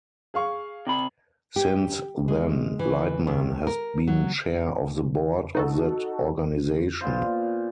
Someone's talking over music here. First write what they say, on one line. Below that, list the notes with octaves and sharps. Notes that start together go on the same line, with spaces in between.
Since then, Lightman has been chair of the board of that organization.
G#4 F5 C#6
C3 B5
G4
G#3
E3
D#2
A#4
F#3
D#4 F#4 A4
A#2 B3 F4 C5